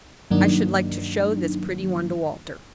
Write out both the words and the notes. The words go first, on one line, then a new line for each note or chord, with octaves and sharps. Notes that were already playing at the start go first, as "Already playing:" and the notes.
I should like to show this pretty one to Walter.
G2 D#3 F#3 A#3 D4 D#4